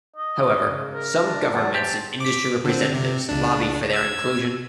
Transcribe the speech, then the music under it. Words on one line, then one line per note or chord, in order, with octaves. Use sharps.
However, some governments and industry representatives lobby for their inclusion.
D#5
C#3
A#4
D4
E2 F#3 A5
G4 C5
D6 B6
D3 C4
C3
C#2 D4
E6 G#6